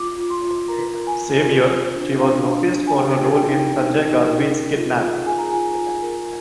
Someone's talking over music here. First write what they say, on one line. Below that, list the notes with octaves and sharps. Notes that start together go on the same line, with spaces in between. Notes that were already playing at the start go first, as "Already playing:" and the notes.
Same year, she was noticed for her role in Sanjay Gadhvi's "Kidnap".
Already playing: F4 D6
F4
C6
F4
A#4 A#5
A#4
G#5
A#4
F4
C5
D4
D4 F5
D4
D4
G#5
G4 G5
A#4
G5
D#4
D#4
D#4
A#4
G#4
F4
F4
G#4 G#5
A#5
F4 G#5
F4
A#4